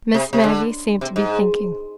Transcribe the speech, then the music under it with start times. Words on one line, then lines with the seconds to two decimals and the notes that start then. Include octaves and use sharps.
Miss Maggie seemed to be thinking.
0.14 C3
0.33 C3
0.44 D3
1.01 C3
1.16 G#2